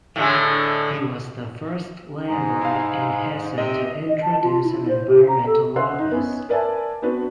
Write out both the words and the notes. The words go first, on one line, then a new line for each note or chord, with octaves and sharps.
He was the first Landrat in Hesse to introduce an environmental office.
A2 D3 G#3
G#2 G#3 G#4 A#5
E4 F5
C3 D#5
D#5
A5
F4
E4
C5
G4
A#5
A4
C5 D#5 E5 F#5 C6 F#6
D#4
B3 C#4 E4
A#4 B4 D5 E5 G#5 A5
B3 C4 D4 F#4 B4